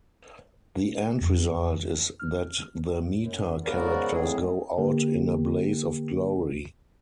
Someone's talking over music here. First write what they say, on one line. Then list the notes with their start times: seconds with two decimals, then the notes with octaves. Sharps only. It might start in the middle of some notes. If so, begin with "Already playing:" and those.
The end result is that the meta-characters go out in a blaze of glory.
1.21 F2
2.20 F6
3.19 F#2
3.65 G#2 C#3 B3 F#4 A#4 D5
4.12 F2 A2 G#4
4.78 D3 A#3 G4 A#4